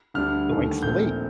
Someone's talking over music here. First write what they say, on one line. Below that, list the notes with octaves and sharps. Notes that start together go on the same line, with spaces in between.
Blank slate.
D2 D3 G3 D4 F6
D#2 D3 A3
A#1 A#2 A3 C4 G6